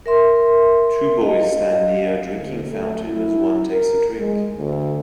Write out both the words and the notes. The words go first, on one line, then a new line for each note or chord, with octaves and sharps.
Two boys stand near a drinking fountain as one takes a drink.
A#4 E5 C6
D#5 F5
D2
A3
E4
A#4
G#3
D2